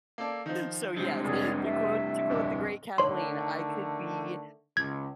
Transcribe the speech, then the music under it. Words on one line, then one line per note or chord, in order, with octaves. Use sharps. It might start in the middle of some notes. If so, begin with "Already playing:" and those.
So yes, to quote to quote the great Kathleen, I could be
A#3 A4 D5
D#3 F3
G2 C3 G#3
F1 G#4 C#5 D5
A3 E5
D1 F2 D4
D3 D#3 A3 C#5 C6
C#2 G#6